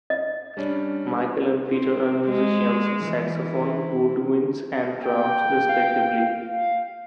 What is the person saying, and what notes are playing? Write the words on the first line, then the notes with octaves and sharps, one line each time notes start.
Michael and Peter are musicians - saxophone-woodwinds and drums, respectively.
D#5
G3 C#4 D4
C4
G#3
E3
G5
F5